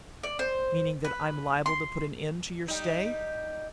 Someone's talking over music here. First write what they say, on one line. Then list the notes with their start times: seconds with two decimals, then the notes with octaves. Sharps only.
"Meaning that I'm liable to put an end to your stay?"
0.23 D5
0.39 C5
1.05 B4
1.66 C6
2.68 G3 D#4